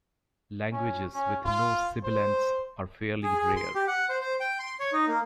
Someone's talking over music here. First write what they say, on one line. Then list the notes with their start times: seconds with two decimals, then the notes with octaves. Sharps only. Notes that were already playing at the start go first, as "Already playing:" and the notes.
Languages with no sibilants are fairly rare.
0.73 C#4
1.15 C#4
1.45 F4
2.04 C5
3.23 G#4
3.38 G#4
3.57 C6
3.75 G4
3.87 F#5
4.09 C5
4.21 C5
4.40 G5
4.59 C6
4.80 C#5
4.93 D#4
5.07 A#3